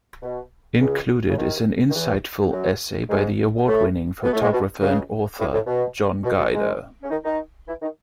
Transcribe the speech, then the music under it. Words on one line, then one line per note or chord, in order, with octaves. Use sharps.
Included is an insightful essay by the award winning photographer and author, John Guider.
B2
C#2 C#3
C#3
D#2 D#3
D#3
E2 E3
F#2 F#3
G#2 G#3
A2 A3
B2 B3
A2 A3
G#2 G#3
B2
C#2 C#3
A2
A2
B2
B2
B2
G#2 G#3
C#4
D#3 D#4
D#3 D#4
E3 E4
D#3 D#4